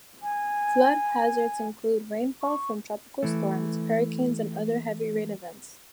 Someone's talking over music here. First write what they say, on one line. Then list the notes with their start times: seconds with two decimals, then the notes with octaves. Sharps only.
Flood hazards include rainfall from tropical storms, hurricanes, and other heavy rain events.
0.23 G#5
2.42 C#6
3.23 E3 A3